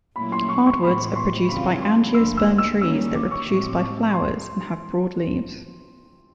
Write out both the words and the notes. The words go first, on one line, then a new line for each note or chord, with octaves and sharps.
Hardwoods are produced by angiosperm trees that reproduce by flowers, and have broad leaves.
A#2 F#3 A3 C#4 E4 B5
C6
C#6
C#6
A2 E3 G#3 B3 B5
C6
C#3 E3 G3 C4 F4 B5
C6
D2 D3 F3 A#3 E6
E6
E6
D#3 G3 A#3 C#4 E6
D6
C#6
A2 F3 G#3 C4
C6